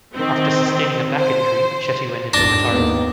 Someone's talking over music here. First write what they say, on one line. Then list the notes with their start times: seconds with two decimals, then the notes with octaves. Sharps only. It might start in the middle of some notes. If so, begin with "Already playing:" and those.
After sustaining a back injury, Chetti went into retirement.
0.14 D#3 C4
1.18 C5
2.34 G#1 E2 D4 A6 A#6
2.71 D#2 B3